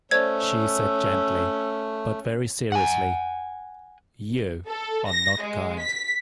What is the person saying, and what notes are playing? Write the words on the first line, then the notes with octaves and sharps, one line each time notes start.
She said gently, but very seriously, "you are not kind."
A3 C#4 C5 D5 E6 G#6
F#5 G#5
A4
A#6
G#3
B6